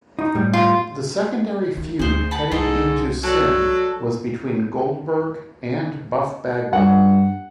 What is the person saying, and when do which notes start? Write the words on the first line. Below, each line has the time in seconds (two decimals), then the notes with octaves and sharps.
The secondary feud heading in to Sin, was between Goldberg and Buff Bagwell.
0.19 D#4
0.35 A2 G3
0.53 F4
1.77 D#3
1.99 D2 G#4 C5
2.31 F#5 A5 B5
2.52 C2 G#2 G#4 A4 D#5
3.23 F#3 A4 D5
6.73 G2 F#5